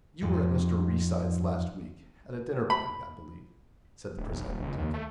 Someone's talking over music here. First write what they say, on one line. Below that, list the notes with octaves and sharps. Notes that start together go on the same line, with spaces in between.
"You were at Mr. Reeside's last week, at a dinner-party, I believe?" said the presiding deacon.
F2 G#2
B5
D1
B1
D#1
C#2
D#2
A3